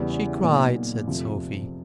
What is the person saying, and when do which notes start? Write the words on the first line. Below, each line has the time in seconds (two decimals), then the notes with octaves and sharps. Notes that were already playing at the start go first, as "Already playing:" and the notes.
"She cried," said Sophie.
Already playing: E2 C#3 E3 G3 B3
0.43 A#2 F#3 B3 D#4
1.07 F2 C3 F3 A3